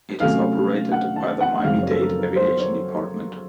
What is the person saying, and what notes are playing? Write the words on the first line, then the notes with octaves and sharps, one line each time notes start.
It is operated by the Miami-Dade Aviation Department.
C3 F#3 A3 C#4 F5
F#5
A5
F#5
F#2 C#3 F3 C4 F5
C#5
A4
A#4
A#4
C5
C#5